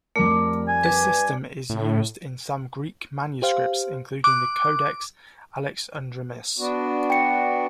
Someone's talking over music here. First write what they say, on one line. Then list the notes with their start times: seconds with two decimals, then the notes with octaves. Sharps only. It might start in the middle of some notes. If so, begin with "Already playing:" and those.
This system is used in some Greek manuscripts including the Codex Alexandrinus.
0.16 F2 G3 A3 A#4 D5
0.68 G#5
0.84 D4 B4
1.70 A2
3.42 G4 C5 F5
4.24 D6 F#6
6.58 B3 D4 F#4
7.10 G5 C#7